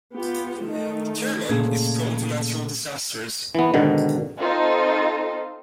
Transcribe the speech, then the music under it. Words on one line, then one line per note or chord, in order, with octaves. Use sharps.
Kerman is prone to natural disasters.
B3 F4 G4
D#3 A3 D#4
A#2 C#3 A3 G#4 G#6
E3 B3
G#2 B2 D3 D#3
C4 D#4 F4 A4 C5